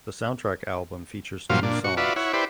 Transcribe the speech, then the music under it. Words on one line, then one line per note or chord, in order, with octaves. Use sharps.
The soundtrack album features two songs.
G2 A#2 F3 F#3 C5 F5
A#2 D4
F#4 C#6
F4 F#4 B4 D5 E5
E4 C#5 F#5
E4 G4 B4 C5 D5